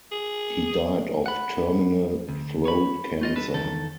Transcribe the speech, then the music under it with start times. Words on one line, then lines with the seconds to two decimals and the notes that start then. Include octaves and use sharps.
He died of terminal throat cancer.
0.12 G#4
1.26 F#5 B5
2.29 D2
2.65 C#5 B5
3.21 A3 F4 D#5
3.36 G3 D4 A4 B4
3.54 E2 D#3 A4